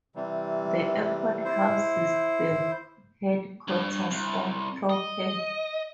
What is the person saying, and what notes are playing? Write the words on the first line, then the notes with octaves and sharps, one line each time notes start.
The airport houses the headquarters of Propair.
C3 E3 G3
E4 C5
G2
C2
D#5